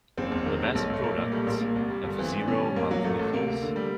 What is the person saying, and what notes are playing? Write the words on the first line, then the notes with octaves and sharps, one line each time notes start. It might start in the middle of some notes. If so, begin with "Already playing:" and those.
The best products have zero monthly fees.
F#1 C4
E2
D#3
G2
B1
B1 A3
B1 A#3
A#2
G3 A3
A#1 A#3
A#2
C2
G3
G1
E3 C4
E3
D4
B2 C#4
G3
A1 A#3
F#3
A1 A3
A1
C3 A#3
D2
D3
G3